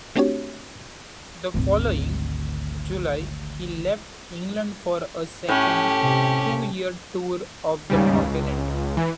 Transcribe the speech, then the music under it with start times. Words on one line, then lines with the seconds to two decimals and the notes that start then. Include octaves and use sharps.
The following July he left England for a second, two-year tour of the continent.
0.16 A3 C4 D4 F#4 G4 C#5
1.54 G#1 D2
5.49 A2 C#4 G4
6.00 C3
7.90 D#2 G#2 C#3 G3
8.21 C#2
8.97 E3